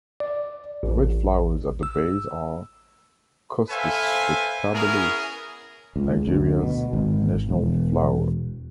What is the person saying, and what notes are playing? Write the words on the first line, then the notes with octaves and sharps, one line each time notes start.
The red flowers at the base are "Costus spectabilis", Nigeria's national flower.
D5
A1
E6
A4 B4 C5 E5 F5 G#5
B3 C#4 E4 G#4 A#4
C#2
D2
B2
G#1
E1